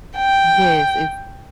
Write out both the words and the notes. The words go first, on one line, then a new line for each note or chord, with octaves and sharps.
Yes, it's
G5